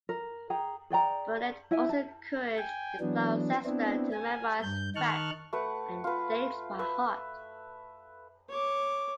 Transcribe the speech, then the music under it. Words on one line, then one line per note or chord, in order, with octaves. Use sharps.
Burnet also encouraged Gloucester to memorise facts and dates by heart.
A#4
G#4 G5 A#5
G#4 D5 G5 A#5
E4 E5 G#5
A5
G5 G#5
E3 F#3 B3 D4
B3 C4 D4 E4
G#5
G2 G6
D#3 D#4 A5 C#6 F6 F#6
A3 B4 F#5
F4 B4
B4 E5
C#5 D6